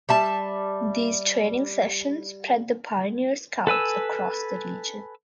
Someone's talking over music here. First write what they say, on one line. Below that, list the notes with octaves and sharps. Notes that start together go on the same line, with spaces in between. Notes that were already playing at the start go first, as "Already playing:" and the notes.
These training sessions spread the Pioneer-Scouts across the region.
G3 E5 A5
A4 B4 G#5 E6